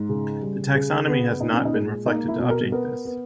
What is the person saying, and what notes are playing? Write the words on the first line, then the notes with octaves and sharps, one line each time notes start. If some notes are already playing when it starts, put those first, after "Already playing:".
The taxonomy has not been reflected to update this.
Already playing: G#2
C#3
G3
C#3
B3
A#2 D#4
C#4
D#4
G#3
A#3 D#4
E4
B2
A#4
B3 A#4
B3